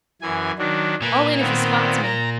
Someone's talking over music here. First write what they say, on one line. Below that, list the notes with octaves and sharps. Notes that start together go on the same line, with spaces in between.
All in if he spots me.
F#2 E3 G#5
D#3 F#3 D4
A#2 A#3 B4 G#5
D#3 B3 C4
A#5